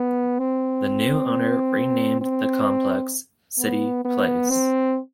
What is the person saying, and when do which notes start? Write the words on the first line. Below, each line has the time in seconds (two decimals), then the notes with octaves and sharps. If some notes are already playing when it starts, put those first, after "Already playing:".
The new owner renamed the complex City Place.
Already playing: B3
0.39 C4
2.22 C4
3.59 B3
4.05 B3
4.51 C4